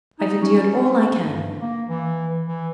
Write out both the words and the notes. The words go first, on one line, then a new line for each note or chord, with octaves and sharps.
I've endured all I can.
D#4
C#4
G2
A#3
E3
E3